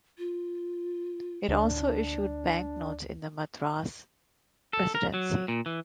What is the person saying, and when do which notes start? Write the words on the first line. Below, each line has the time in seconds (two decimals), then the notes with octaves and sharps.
It also issued banknotes in the Madras Presidency.
0.18 F4
1.48 D2 D4
4.73 A4
4.95 A#4
5.14 F#3
5.48 A#2
5.66 E3